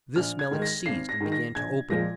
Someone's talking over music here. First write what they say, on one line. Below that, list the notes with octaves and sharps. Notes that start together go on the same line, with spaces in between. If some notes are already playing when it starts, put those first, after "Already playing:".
This Melick seized and began to open.
A#1 F6
G#6
G#2 D#3 G#3
A#6
G#1 C7
A#6
G#2 D#3
A#6
A#1 G#6
A#2 F3 G#3 A#6